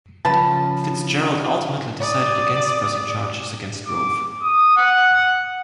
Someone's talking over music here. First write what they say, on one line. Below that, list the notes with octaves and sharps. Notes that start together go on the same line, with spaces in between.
Fitzgerald ultimately decided against pressing charges against Rove.
C#3 F3 B4 A5
D5 D#6
D6
D#6
F#5